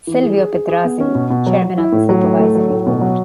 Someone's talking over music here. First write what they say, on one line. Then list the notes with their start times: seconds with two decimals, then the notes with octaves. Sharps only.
Silvio Pedrazzi, Chairman of the Supervisory Board.
0.07 E3
0.23 G#4
0.38 G#4
0.53 G#4
0.69 G#4
0.84 B3
1.00 C#4
1.15 B2
1.30 B2
1.47 F#3
1.62 F#3
1.78 E4
1.92 A2
2.09 F#3
2.24 A2
2.39 A3
2.55 F#3
2.70 A2
2.86 B2
3.01 F#3